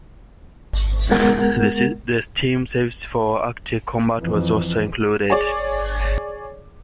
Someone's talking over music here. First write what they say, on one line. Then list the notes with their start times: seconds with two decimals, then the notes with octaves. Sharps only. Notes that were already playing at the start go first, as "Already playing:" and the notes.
The Steam service for Arctic Combat was also included.
1.11 G#3 B3 A#4 F#5
4.20 F2 E3
5.30 G#4 C#5 D5